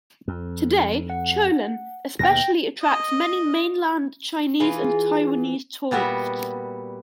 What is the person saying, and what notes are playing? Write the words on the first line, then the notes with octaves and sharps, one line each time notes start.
Today, Cholon especially attracts many Mainland Chinese and Taiwanese tourists.
F2
F#5
D#2 B2 G5 A#6
D#5
E3 F4 G#4
A#2 G3 B3 F#4 E5